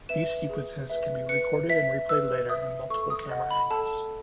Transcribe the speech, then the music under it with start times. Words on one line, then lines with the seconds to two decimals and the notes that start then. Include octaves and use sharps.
These sequences can be recorded and replayed later in multiple camera angles.
0.09 B4 E5 E7
0.49 G#4
0.90 B4 E5
1.29 B4 C#7
1.70 E5 B6
2.09 B4 E6
2.49 E5 D#6
2.90 A4 C#6
3.10 D#6
3.30 D#5 F#5
3.51 B5
3.70 A4 A5